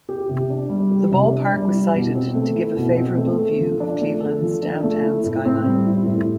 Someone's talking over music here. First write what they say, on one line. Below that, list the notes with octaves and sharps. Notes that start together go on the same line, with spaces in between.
The ballpark was sited to give a favorable view of Cleveland's downtown skyline.
G4
C3
D4
G3
G4
C3
D4
G3
E4
B2
C4
A3
E4
B2
C4
A3
A4
F3
D4
A3
A4
F3
D4
A3
E4
A2
C4
G3
E4
A2